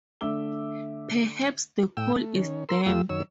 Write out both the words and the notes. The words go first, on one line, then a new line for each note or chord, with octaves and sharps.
Perhaps the coal is damp.
D3 A3 E5 D6 E6 G7
A2 G5 E6
A3
D#3 C#4
A#4 C6 E6
F2 A3 F4 G4 E6
F#2 D#3 C#5 E6